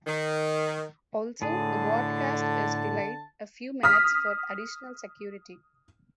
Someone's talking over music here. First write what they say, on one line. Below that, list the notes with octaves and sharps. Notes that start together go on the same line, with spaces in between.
Also, the broadcast is delayed a few minutes for additional security.
D#3
A2 D3 G#4 A5
D#6 F6 B6